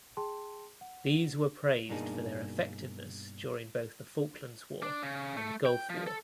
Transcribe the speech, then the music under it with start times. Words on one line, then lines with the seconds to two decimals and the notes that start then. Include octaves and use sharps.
These were praised for their effectiveness during both the Falklands War and Gulf War.
0.17 G#4 G5 A5 C6
0.81 F#5
1.89 G2 B2 A#3 D4 D#4 G#4
4.82 D4
5.02 C#3
5.37 A3
5.66 G5
5.90 F3
6.07 A4